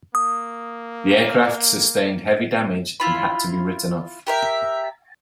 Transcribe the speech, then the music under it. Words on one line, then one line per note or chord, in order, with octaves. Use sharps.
The aircraft sustained heavy damage and had to be written off.
A#3 D#6
E4 F4 B5
G4 A#4 E5